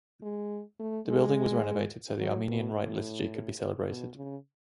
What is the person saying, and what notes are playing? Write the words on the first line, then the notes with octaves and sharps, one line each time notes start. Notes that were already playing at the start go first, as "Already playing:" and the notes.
The building was renovated so the Armenian rite liturgy could be celebrated.
G#3
A3
G#3
F#3
B2
A2
B2
C#3